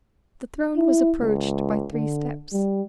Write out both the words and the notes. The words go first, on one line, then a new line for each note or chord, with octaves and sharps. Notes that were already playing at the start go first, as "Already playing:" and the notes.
The throne was approached by three steps.
E4
C#2
D3
G3